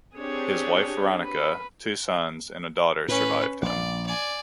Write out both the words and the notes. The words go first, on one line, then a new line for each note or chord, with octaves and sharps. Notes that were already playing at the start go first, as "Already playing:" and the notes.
His wife Veronica, two sons, and a daughter survived him.
C4 D4 G4 G#4 C#5
B4
A2 C#4 B4
A#1 D5
D5 G#5